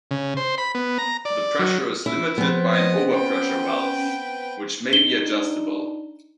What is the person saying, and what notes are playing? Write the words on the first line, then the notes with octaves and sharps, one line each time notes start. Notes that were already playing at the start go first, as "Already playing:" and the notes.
The pressure is limited by an overpressure valve which may be adjustable.
C#3
C5
B5
B3
A#5
D5
F#3
E4
F3 B3 C4
D#5
C#4 B4 G5
D4 D#4 G7